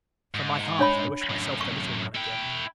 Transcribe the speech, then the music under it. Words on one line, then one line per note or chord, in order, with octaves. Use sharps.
From my heart, I wish myself the little man again!
G#2
D4 C#5 B5
F#2 A2
C#6
E4 G5